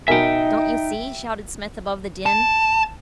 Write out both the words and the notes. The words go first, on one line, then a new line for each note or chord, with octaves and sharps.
"Don't you see?" shouted Smith, above the din.
B2 D#4 A#4 E5 G5 G#5
A5